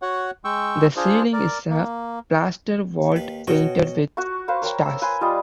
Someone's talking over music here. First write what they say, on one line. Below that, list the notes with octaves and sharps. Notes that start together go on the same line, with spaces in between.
The ceiling is a plaster vault painted with stars.
F#4 C#5 F#5
G#3 G5 C#6 E6
D4 F4 G#4 C5
A#4 D5
A#3
D#2 B4
B2 F#4 C#5 D#5 G5
F#4 F#5 C#6
B4 C5 F5 F#5
A#4 C#5 G5 A#5
E6
B4 G#5 C6
G3 F4 D5 D#5